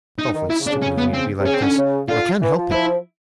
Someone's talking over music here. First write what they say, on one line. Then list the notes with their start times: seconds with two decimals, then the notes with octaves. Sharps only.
It's awfully stupid of me to be like this, but I can't help it.
0.19 D#4
0.35 D#3
0.50 E4
0.60 C#3
0.66 D4
0.71 C#3
0.82 C#3 C#4
0.98 B3
1.13 C4
1.38 C3
1.46 C#3 C#4
1.54 C4
1.61 D3 C#4
1.78 C#3
2.08 D3 F4
2.41 E3
2.57 F3
2.72 F3 E4